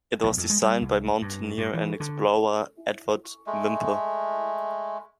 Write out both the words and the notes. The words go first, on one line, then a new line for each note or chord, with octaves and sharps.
It was designed by mountaineer and explorer Edward Whymper.
B1
F2
G#3
G3
C2
G2
G2
E3
D3
G#3 A3